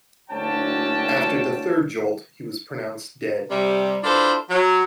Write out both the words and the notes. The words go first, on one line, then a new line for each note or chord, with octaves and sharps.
After the third jolt, he was pronounced dead.
F#1 D2 C#4 D4 G5 A5
C3 G3
D4 E4 F4 A4 B4 C5
F#3